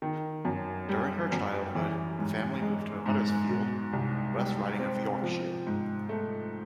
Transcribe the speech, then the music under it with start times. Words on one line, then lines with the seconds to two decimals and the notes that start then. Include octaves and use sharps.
During her childhood the family moved to Huddersfield, West Riding of Yorkshire.
0.02 D#3
0.45 F#2
0.89 G3
1.32 F#2
1.75 E3
2.19 G#2
2.62 G#3
3.06 G#2
3.48 B2
3.93 C2
4.35 G3
4.79 C4
5.22 F3
5.67 G#2
6.09 A3